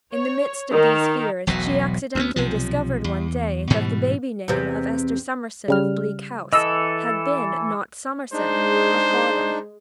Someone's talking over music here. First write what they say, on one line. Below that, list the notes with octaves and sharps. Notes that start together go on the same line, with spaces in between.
In the midst of these fears, she accidentally discovered one day that the baby name of Esther Summerson of Bleak House had been, not Summerson, but Hawdon.
C#5
D#3
E1 B1 B2 F#3
D2 A#3 B3
B1 C3 F3
E2
G#2 B2 E3 G3
E2 C3
C#3 G3 F6
E3 A4 D#5 E6
G#3 D4 D#4 C5